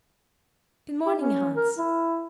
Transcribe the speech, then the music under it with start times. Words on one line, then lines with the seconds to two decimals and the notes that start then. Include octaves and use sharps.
'Good morning, Hans.
1.06 G4
1.19 C#4
1.56 A#4
1.78 E4